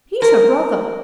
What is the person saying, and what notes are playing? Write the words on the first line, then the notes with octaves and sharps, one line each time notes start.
He's her brother.
A#4